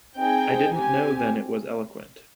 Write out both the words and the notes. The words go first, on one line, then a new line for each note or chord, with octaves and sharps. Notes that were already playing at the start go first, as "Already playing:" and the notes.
I didn't know then it was eloquent!
C4 D#4 G#4 G5
C4 G4 G#5